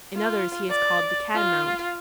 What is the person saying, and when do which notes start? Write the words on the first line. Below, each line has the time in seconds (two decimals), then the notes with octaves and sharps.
In others he is called the Catamount.
0.15 F4
0.69 D5
1.34 F4